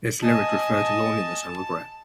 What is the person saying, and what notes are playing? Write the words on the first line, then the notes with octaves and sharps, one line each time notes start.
Its lyrics refer to loneliness and regret.
D#5 G#5 A5